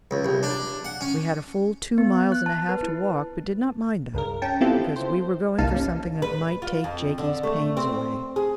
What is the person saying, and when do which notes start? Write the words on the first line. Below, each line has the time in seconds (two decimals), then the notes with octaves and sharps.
We had a full two miles and a half to walk, but did not mind that, because we were going for something that might take Jakie's pains away.
0.11 C#2
0.25 C2
0.43 D4
0.85 F#5
1.01 C#4
1.98 B3
2.32 F#6
2.46 A5
2.69 B4
2.83 E4
4.14 C#2 G2 A#4
4.42 C#4 G5 A5
4.60 B3 C4 E4 F4 G4 A4
4.96 C5
5.58 G1 C2 A#3 D#4 F5 A5
5.74 G3 C#4
6.22 B4
6.62 F4
6.84 F2
7.18 D3
7.43 A3
7.77 C4
8.36 G#4